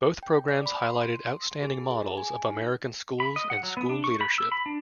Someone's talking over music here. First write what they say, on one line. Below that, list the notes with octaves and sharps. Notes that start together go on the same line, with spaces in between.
Both programs highlighted outstanding models of American schools and school leadership.
G5
D5
B5
C6
G#4
G#4
G#5
D#4
B5
D#5
F#5
F#3
B3
D4
C#6
B5
E6
B5
D4